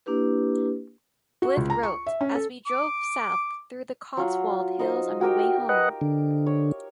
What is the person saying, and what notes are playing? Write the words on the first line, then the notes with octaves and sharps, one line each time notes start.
Blyth wrote: As we drove south through the Cotswold hills on our way home...
A#3 D4 E4 G4 B4
F#4
C#2
A#5
C#6
E5
C#4
A4
D6
F#3 F4
D#4 C5 D#5
F#4 G4 A#4 G5
B4 D#5 F#5
D3
C#5